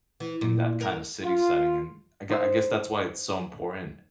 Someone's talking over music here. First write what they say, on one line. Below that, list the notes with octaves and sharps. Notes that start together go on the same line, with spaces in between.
in that kinda city setting, and I g I guess that's why it's so important
E3
A#2
A#4
F4
D#4 C5 E6